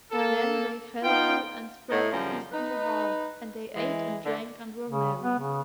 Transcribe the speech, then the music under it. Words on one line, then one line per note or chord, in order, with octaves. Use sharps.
Then they fell to and spread the feast in the hall; and they ate and drank and were merry.
A#3 A4
B3 D#4 F4 G5
A2 D#4
F#2 C#3 F3 G3
D#4 B4
E3 G#3
D3
C#3
B3
C#3